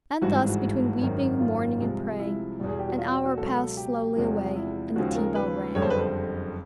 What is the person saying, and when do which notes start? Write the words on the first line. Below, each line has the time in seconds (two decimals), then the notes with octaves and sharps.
And thus between weeping, mourning, and praying, an hour passed slowly away, and the tea-bell rang.
0.22 G#1 G2 E3 G#3 F#4
0.49 F#4
1.01 G#1 F#2 D#3
1.40 F4
1.79 C2 C3 F3 G#3
2.20 E4
2.59 E2 B2 G3
2.68 G#4
2.79 G4
2.89 F#4
2.98 F4
3.12 F#4
3.25 F#4
3.37 C#2 B2 F#3 A4
3.77 G4
4.17 E2 C3 F3 G#3
4.56 E4
4.96 D#2 C#3 F3 G#3 F#4
5.15 A#4
5.35 B4
5.75 F#1 F2 D3 G3 C#5
5.82 C5
5.90 B4
5.98 C5